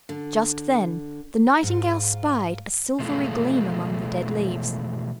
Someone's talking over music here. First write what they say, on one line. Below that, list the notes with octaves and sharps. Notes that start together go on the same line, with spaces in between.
Just then the Nightingale spied a silvery gleam among the dead leaves.
D3
G#2 F4
B2 E3 F3 G#3 A3 F4